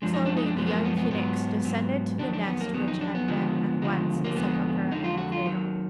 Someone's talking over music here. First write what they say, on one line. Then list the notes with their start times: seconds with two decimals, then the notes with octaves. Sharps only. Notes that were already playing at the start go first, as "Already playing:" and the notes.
Slowly the young Phoenix descended to the nest which had been at once a sepulchre and a cradle.
0.02 F#2 F3 G#3 D4
0.14 D#4
0.25 D4
0.37 D#4
0.46 D4
0.56 F#2 F3 G#3 B3
0.66 B3
0.71 A#3
0.84 B3
0.97 B3
1.11 G#2 F#3 B3
1.65 G#2 F#3
2.19 F2 D#3 F#3 D4
2.33 D4
2.47 B3
2.61 A#3
2.74 F2 D#3 F#3 B3
2.88 D#4
3.01 D4
3.15 B3
3.28 D#2 D3 F3 G#3
3.82 D#2 D3 F3 G#3
4.24 A#3
4.37 F2 D3 G#3 B3
4.91 F2 D3 G#3 D#4
5.04 F4
5.18 F#4
5.32 F4
5.46 D#2 D#3 F#3